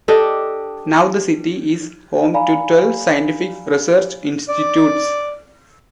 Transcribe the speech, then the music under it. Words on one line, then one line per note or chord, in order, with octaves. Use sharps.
Now the city is home to twelve scientific research institutes.
D4 G4 A4 D#5
D5 F5 G#5 A#5 B5
D5